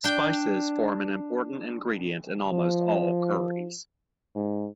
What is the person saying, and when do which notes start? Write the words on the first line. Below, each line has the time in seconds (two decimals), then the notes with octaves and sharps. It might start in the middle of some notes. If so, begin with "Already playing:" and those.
Spices form an important ingredient in almost all curries.
0.04 D4 G5
2.52 F3
4.35 G#2